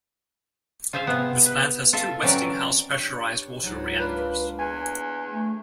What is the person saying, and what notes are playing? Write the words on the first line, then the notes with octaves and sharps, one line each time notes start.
This plant has two Westinghouse pressurized water reactors.
F4 G#4 C5 E5 F5
C3 B3
B4
F4 A4 E5
E3 F#3 C4 C#4 A#4 D5
G2 C#5
C#2 G#2 F#3
A#3 D4 F4 B4
E2 G#5
A3